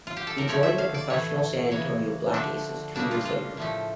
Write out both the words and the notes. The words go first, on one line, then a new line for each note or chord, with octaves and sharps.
He joined the professional San Antonio Black Aces two years later.
F4
G4
A4
A#4
D3 F3 A3 C#5
E5
F5
D5
A2 E3 A3 C#5
C#3 E3 A#3 C#5
D3 F3 A3 D4
C#3 G3 A#3 D4
F4
F4
A2 F3 A3